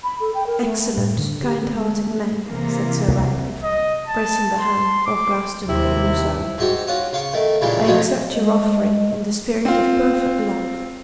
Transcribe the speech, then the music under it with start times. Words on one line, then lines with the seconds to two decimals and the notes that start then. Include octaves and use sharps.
'Excellent, kind-hearted man!' said Sir Ratcliffe, pressing the hand of Glastonbury in his own; 'I accept your offering in the spirit of perfect love.
0.04 B5
0.20 A4
0.34 G5
0.47 A#4
0.65 A3
0.97 A2
1.18 D3
1.43 G4
1.63 B3
1.75 G#3
2.07 A3
2.47 C3 E3 A#3
3.08 C2
3.63 D#5
4.07 A5
4.59 C6
5.06 D6
5.69 D#2 C3 E4
6.58 G#2 F#4 G4
6.88 C#4 F4 F#4
7.13 C#3 F5 C#6
7.33 D#3 A3
7.61 A#2 C#3 E3 G3 G#3
7.85 D2 B2 F3 F#3 C#4
8.35 G#3
9.65 C4 F4